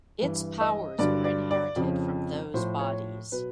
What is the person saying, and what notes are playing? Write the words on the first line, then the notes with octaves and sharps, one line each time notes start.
Its powers were inherited from those bodies.
G2 E3
D#5
G2 D3 F#3 D5
D5
D5
F2 C#3 F3
A2 F3 C5
C#5
B2 F#3 B4